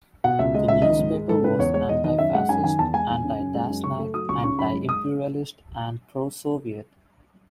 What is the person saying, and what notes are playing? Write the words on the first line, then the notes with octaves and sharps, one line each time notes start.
The newspaper was anti-fascist, anti-Dashnak, anti-imperialist and pro-Soviet.
B2 F#5
C#2 E5
G#3 D#5
C#2 E5
D#3 D#5
G#2
G#3
G#2 A4
C#3 B4
E2 C#5
G#3 C#5
E2 D#5
D#3 D#5
F#2 E5
G#3 F#5
F#2 G#5
D#3 G#5
E2 A5
G#3 G#5
E2
C#3
F#2
G#3
F#2
C#3 C#6
A3
F#3 D#6
C#2 C#6
C#3 C#6
F#2 B5
G#3
D#6